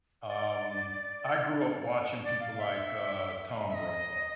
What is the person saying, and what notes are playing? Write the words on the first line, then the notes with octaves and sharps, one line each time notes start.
Um, I grew up watching people like, uh, Tom Brokaw,
D5
D5
F5
F5
E5
E5
D#5